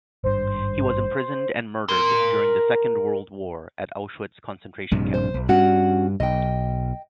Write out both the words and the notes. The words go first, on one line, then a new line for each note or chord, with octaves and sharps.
He was imprisoned and murdered during the Second World War at Auschwitz concentration camp.
G#1 G2 C5
A#4 C6
A#1 G2 C3
C5
B1
G2 G3 C#4 F#4 F#5
B1 D#5 G5